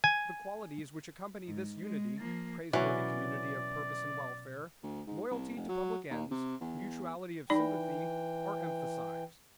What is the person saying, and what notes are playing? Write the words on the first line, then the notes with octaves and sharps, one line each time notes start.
The qualities which accompany this unity, praiseworthy community of purpose and welfare, loyalty to public ends, mutuality of sympathy, are emphasized.
G#5
G#2
G#3
F3 A#3
B2 E3 F#3 C#4 D5
D2
G#2
C2
F1
F#3
D#2
C3
E2
E3 D#4 D5 G5 B5